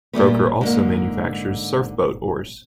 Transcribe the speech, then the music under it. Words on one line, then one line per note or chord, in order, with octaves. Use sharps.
Croker also manufactures surf boat oars.
A#2 G3 A3 B3
G#2 D3 A#3